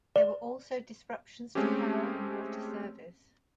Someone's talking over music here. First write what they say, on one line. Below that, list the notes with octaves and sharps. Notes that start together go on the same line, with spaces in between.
There were also disruptions to power and water service.
D5
G#3 A3 C4 C#4 G4